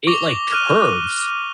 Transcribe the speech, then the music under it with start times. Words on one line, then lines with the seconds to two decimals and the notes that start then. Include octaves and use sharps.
it, like, curves
0.07 C#6 D6 A#6 F7 G7
0.52 F6 F#6 D#7 G7